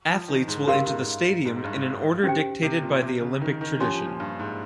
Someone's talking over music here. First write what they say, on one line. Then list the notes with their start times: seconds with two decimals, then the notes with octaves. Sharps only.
Athletes will enter the stadium in an order dictated by the Olympic tradition.
0.09 F3
0.28 D#3
0.48 G#2
0.67 G2 C#4 G4 A#4 F5 C6
0.87 G#2
1.45 G#2
1.56 G#2
1.65 G2
1.75 G#2
2.24 C#4 G4 C5 G5
2.63 C3
2.82 A#2
3.02 C3
3.22 C#3
3.41 D#3
3.61 D#3
3.80 F3 C#4 G4 C#5 G#5 C6
3.94 F3
4.06 A#2
4.20 G2
4.39 G#2